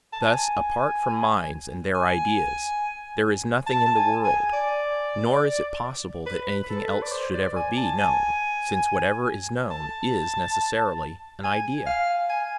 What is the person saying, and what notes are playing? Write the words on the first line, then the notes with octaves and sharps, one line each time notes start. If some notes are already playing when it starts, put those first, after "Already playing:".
Thus apart from minds and their ideas there is nothing in the world, nor is it possible that anything else should ever be known, since whatever is known is necessarily an idea.
A5
G#5
G#5
A5
A5
G#5
G#5
D5
B4
B4
A4
B4
D5
C5
D5
G#5
A5
G#5
A5
G#5
F5
G#5